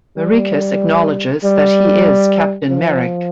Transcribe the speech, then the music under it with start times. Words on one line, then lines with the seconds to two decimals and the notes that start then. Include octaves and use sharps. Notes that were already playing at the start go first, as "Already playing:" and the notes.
Merikus acknowledges that he is Captain Merik.
0.18 G3
1.44 G3
2.70 F3